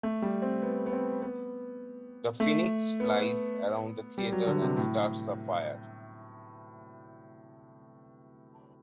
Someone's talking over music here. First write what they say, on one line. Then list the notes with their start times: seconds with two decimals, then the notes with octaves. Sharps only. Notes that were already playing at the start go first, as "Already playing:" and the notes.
The Phoenix flies around the theatre and starts a fire.
0.03 A3
0.22 G3
0.42 C4
0.62 B3
0.86 B3
0.93 C4
1.22 B3
2.40 A3
3.00 B3
4.18 G3
4.32 F#3
4.47 D3
4.62 C3
4.77 A2